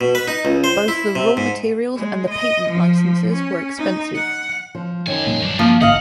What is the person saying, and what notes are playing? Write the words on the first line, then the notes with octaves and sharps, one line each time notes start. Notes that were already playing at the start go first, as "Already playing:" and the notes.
Both the raw materials and the patent licenses were expensive.
B2
B4
D#4
C#2
C5
E4
C3
G#2
G#3
D#5
F3
C#4
D#4
F#5
F3
F#2 D3 D#3 G#5
A#2 F#3 G#3 A#3 G#5
G2 D#3 F#3 D4
F3 A#3 A5
A1 G#2 D3 D#5 F5 F#5